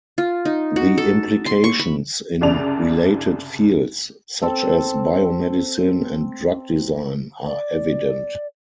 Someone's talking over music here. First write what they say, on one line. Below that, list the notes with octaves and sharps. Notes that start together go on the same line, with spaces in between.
The implications in related fields, such as biomedicine and drug design, are evident.
F4
D#4
F#4
A4
C6
C#6
B5
C2 F#2 C#3 D4 D5 F7
C4 A4
D5